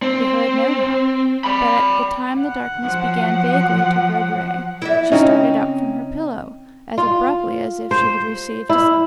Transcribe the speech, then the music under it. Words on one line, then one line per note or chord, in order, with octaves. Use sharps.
She heard no knock, but at the time the darkness began vaguely to grow grey she started up from her pillow as abruptly as if she had received a summons.
C4
G5 B5
F#5
F3 F#3
E4 D5 E5
C#3 C4 C#4 D#4
F4
C5
E4